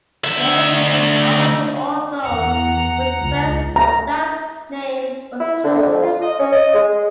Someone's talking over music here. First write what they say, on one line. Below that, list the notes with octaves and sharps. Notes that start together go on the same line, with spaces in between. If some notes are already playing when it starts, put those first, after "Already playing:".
Membership was open to all those whose first or last name was George.
D2 E5
E2 F#5 A#5
C#2
A#5
E4
D3
F2
F4
D#5
C#4
D#5
G#3